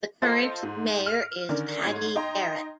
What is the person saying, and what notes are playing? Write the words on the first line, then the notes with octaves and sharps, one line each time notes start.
The current mayor is Patti Garrett.
F4 A4 C5 D#5
G#2
F6
D3 D#3 C#4 D4 A#4
G#2 C#5 G#6 C7
D#4 D#5 G5 A#5 C6